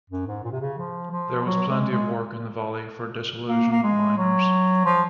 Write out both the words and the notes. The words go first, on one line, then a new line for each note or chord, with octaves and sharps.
There was plenty of work in the valley for disillusioned miners.
F#2
G#2
A#2
C3
C#3
F3
F3
F#3
G#3
G#3
A#3
A#3
G#3
F#3
F3